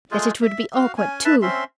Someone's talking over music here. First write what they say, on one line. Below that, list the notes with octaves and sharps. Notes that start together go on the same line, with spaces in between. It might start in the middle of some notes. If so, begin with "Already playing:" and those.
Yet it would be awkward too.
G#3 A3 F4 G#4
E5
F#4 F5
C#4 G#5
B4 E5 A5
C4 C#4 E5 C6